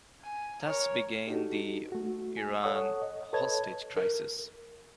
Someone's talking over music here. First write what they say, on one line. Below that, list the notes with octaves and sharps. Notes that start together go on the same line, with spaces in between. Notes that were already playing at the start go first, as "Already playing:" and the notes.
Thus began the Iran hostage crisis.
G#5
A#4 C#5
D4 D#4 F#4 G4 A4
A3 F#4
G#5
A4 C#5 F#5 C#6 D#6
D#5
A4 B4 C#5 D#5 A5 G#6
A#4